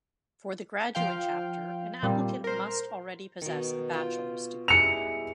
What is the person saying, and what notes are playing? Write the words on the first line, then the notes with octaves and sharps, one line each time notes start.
For the graduate chapter, an applicant must already possess a bachelor's degree.
F3 F4 F5 G5
A#2 G3 C4
A#4 C5
B2 D#3
F4 G5
G3 G#3 E4 C#7 F7